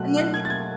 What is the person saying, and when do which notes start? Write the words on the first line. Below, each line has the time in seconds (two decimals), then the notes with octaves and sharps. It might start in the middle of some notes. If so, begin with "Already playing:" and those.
And then i
Already playing: B2 F#3 A3 F#6
0.17 F#6
0.34 G#6
0.45 A6
0.50 G#6